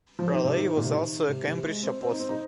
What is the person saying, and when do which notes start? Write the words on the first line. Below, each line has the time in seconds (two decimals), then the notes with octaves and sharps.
Raleigh was also a Cambridge Apostle.
0.19 F3
0.31 D#3
0.44 C3
0.56 D#3
0.76 A#2
0.84 C3
0.92 D#3
1.28 C3
1.42 D#3
1.47 C3
1.65 G#3
1.83 C4
2.01 C4
2.11 D#4
2.20 C4
2.29 D#4